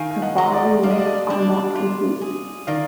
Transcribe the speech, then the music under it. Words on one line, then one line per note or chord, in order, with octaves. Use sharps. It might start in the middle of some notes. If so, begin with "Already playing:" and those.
The following lists are not complete.
Already playing: D#3 F5 G#5
G#5
D#5 F#5
G#3
D#5
D5
D4 F5
D#5
D5
D#5
D4
F4
G#4
D#3 D5 F5